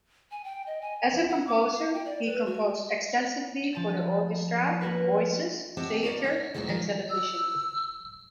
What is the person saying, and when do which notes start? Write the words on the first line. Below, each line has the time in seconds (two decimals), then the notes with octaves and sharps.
As a composer he composed extensively for the orchestra, voices, theatre and television.
0.31 G#5
0.44 G5
0.67 D#5
0.82 G#5
1.17 F4
1.29 F#5
1.47 D6
1.74 F5
1.94 G5
2.05 D5
2.25 B4
2.46 F#4
3.73 F3 A5 A6
4.81 A#3 C#4 F#4 A#4 B4
5.77 C4 G4 D#5 E5 F#5 A5
6.03 F#4 A#4 D5
6.24 E4 F#5
6.54 D2 A#2 F#3 G#3 A3 B3
6.68 D#3 F3 G#3 F4 A#4
7.10 E6